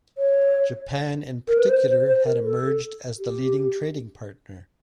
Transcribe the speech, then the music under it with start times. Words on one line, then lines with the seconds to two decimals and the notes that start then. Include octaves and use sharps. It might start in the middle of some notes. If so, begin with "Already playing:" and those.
Japan in particular had emerged as the leading trading partner.
0.18 C#5
1.48 A#4
1.58 B4
1.69 C5
1.88 C5
2.06 C5
2.25 A#4
2.44 A4
3.19 G4